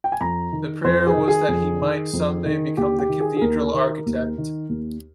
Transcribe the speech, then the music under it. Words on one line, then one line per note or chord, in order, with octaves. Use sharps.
The prayer was that he might someday become the cathedral architect.
G5
G#5
F2 A#5
D#3
F2 C5
G#4
D#3
G#4
F2
D#3
F2
D#3
D#2 G4
G4
D#3
G#4
G#4
D#2 A#4
D#3
D#2
D#3
D#2